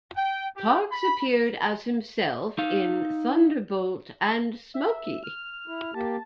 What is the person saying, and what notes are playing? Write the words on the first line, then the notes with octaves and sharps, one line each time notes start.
Parkes appeared as himself in Thunderbolt and Smokey!
G5
G4
B5
D#4 F5
E5
F6
E4
A#3 G4 A5